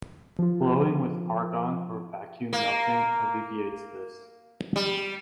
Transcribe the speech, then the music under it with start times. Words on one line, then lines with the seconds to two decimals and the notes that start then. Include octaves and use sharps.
Blowing with argon or vacuum melting alleviates this.
0.39 F3 F4
2.53 A#3
4.76 G3